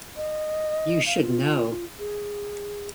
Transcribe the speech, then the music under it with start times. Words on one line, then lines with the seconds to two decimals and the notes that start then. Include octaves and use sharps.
You should know.
0.16 D#5
1.06 F5
1.22 F4
1.99 G#4